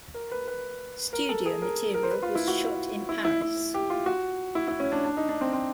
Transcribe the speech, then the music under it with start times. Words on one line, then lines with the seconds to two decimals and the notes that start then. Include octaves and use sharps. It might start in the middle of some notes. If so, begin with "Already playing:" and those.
Studio material was shot in Paris.
0.14 A#4
0.32 B4
0.48 B4
1.13 A#4
1.29 A4
1.46 G#4
1.62 A#4
1.94 A#4
2.03 C5
2.11 B4
2.23 F4
2.35 E4
2.48 F#4
3.09 E4
3.25 E4
3.42 E4
3.74 G4
3.90 F4
4.06 F#4
4.55 E4
4.68 E4
4.80 C#4
4.92 D4
5.05 D4
5.17 D#4
5.29 D4
5.41 C4
5.53 C4